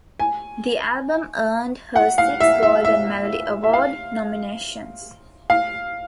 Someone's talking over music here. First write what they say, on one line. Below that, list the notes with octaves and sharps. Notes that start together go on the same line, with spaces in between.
The album earned her six Golden Melody Award nominations.
G#5
F#5
F5
E5
E5
E5
E5
F5
F5